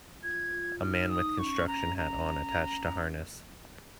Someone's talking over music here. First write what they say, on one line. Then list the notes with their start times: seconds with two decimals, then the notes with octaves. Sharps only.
A man with construction hat on attached to harness.
0.23 F4 G#6
0.52 F4
0.81 D#4 F6
1.00 D#4
1.09 D#6
1.20 D#4
1.39 C#4 C#6
1.67 A#5
1.97 A#5